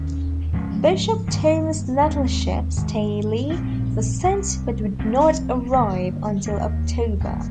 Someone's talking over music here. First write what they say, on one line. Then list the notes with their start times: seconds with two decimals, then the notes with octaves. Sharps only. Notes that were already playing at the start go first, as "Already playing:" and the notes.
Bishop Thomas Nettleship Staley was sent but would not arrive until October.
Already playing: D#2 D#3 C#4
0.53 G#2 F3 G#3 C#4
1.27 G2 D#3 G3 A#3
2.02 D#2 D#3 G#3 C4
2.76 G#2 D#3 G#3
3.50 A#1 G#2 G3 C4
4.24 C2 C3 G3
4.99 C2 C3 F3 C4
5.73 G1 G2 D#3 A#3
6.46 D#2 D#3 A#3
7.20 G#1 G2 G3 A#3